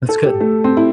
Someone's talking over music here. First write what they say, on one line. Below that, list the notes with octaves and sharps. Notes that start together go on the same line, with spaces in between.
That's good.
A4
G4
A3
C4
E4